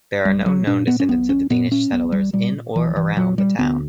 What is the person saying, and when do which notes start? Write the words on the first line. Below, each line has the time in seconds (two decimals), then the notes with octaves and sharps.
There are no known descendants of the Danish settlers in or around the town.
0.25 B1 G3
0.46 F#3
0.67 A#2 D4
0.87 B3
1.00 C#4
1.08 B1 B3
1.29 C#4
1.50 A#2 B3
1.72 C#4
1.92 B1 B3
2.12 G3
2.33 A#2 G3
2.75 B1 E3
2.96 E3
3.17 A#2 F#3
3.38 G3
3.59 D2 B3